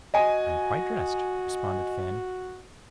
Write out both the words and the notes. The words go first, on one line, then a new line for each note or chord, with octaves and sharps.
"I am quite dressed," responded Fanny.
F#4 D#5 G#5